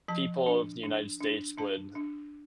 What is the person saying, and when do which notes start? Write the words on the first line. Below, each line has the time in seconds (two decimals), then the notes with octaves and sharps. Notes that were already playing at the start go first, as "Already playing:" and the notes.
people of the United States would
0.08 F3 A5
0.46 D4
0.83 D4
1.21 D4
1.58 D4 A5
1.95 D4